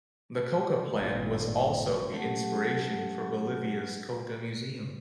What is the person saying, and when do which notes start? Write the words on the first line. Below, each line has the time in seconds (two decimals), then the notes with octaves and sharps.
The coca plant was also the inspiration for Bolivia's Coca Museum.
1.00 G#1 G2 A#2
2.11 F#3 A3 C#4 G4 A4 F#5